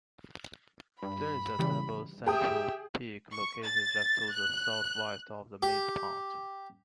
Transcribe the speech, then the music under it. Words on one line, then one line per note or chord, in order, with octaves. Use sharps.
There is a double central peak located just to the southwest of the midpoint.
G2 B5
C#3 E3 G3
G4 G#4 E5 G5 D#6
C#6
A6
F#6
G4